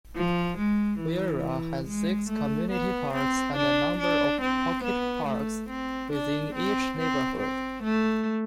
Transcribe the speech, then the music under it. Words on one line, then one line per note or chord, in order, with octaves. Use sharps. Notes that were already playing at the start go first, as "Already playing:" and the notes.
Viera has six community parks and a number of pocket parks within each neighborhood.
F3
G#3
E3
G#3
A3
B3
C4
D4
D4
C4
B3
A3
C4
D4
C4
C4
C4
A3